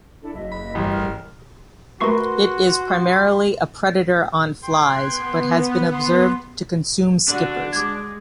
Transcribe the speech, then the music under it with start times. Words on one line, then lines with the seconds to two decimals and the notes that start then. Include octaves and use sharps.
It is primarily a predator on flies, but has been observed to consume skippers.
0.21 D4 E4 A4
0.34 F#1 D#5 E5
0.52 B5
0.75 A1 G2
0.91 A#4 F6
2.01 A3 F#4 A#4 B4 C6 C#6 C7
4.64 G5 C6 F#6 G#6
5.03 B3
5.94 C6
7.28 D3 D4 F#4
7.73 G#3 D6 G#6